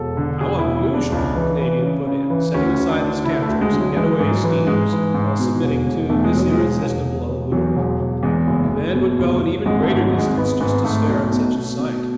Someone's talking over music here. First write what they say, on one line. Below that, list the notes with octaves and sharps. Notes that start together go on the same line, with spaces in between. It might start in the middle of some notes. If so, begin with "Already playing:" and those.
"How unusual!" the Canadian put in, setting aside his tantrums and getaway schemes while submitting to this irresistible allure. "A man would go an even greater distance just to stare at such a sight!"
Already playing: E1 A4
D3
E1 G#4
E4
E1
E4
E1
D4
C#2
E3
E3
C#3
C#3
E3
D2 C#4
D2
D4
D3
D3 E4
A3
D2
G#3
D3
F#3
E3 G#3
G#2
F#3
E3
G#2 G#3
E3
G#2
B2
E1
E1
E2 A3
G#3
E1 F#3
G#3
E1
E1
E1
E1
E2 F#3
E1
E1
E2 G#3
F#1
F#1
B2
F#1
F#1
G#1 G#3
A3
G#2
F#3
G#1
G#3
G#1 B3
G#2 B3
G#2 A3
B1
B2
B2
B2